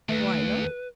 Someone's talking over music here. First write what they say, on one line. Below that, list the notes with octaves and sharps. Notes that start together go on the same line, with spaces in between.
"Why not?"
D#2 A3 B4